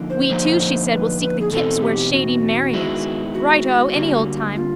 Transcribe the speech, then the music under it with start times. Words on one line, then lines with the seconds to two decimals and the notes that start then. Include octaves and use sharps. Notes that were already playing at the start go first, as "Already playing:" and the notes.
We two, she said, will seek the kips where shady Mary is. Righto, any old time.
Already playing: D3 F3 A#3 D#4
0.10 C5
0.30 D3 F3 A#3 D#4
0.91 B4
1.21 B4
1.40 G#4
1.52 E2 B2 G#3 C4 D#4 A4
1.82 G4
2.13 F#4
2.73 D#3 G#3 B3 E4
3.34 F#4
3.96 D3 G3 A#3
4.56 F4